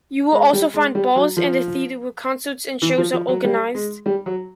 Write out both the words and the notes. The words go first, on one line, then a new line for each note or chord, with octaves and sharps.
You will also find bars and a theater where concerts and shows are organized.
G#3
G3
G#3
G3
F#3
F3
E3
F3
F3
F#3
G3
G#3
G3
F#3